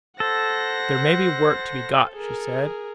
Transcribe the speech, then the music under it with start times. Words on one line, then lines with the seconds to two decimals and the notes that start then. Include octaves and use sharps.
'There may be work to be got,' she said.
0.20 A4 C5 F#5 A#6
2.14 G#4 A#4